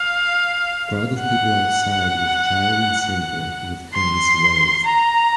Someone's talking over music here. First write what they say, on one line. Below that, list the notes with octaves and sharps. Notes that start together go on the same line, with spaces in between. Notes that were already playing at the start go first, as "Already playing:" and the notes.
Crowd of people outside with child in center with hands raised.
Already playing: F5
F#5
C6
A#5